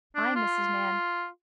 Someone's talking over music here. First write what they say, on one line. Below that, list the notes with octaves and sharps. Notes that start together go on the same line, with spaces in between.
'I, Mrs. Mann.
D4
F4